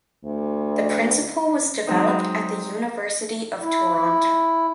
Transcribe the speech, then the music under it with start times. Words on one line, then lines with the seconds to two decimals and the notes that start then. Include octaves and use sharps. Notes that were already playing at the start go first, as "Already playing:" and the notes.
The principle was developed at the University of Toronto.
0.25 D2
1.87 F#3 G#3 C4 D#4
3.61 E4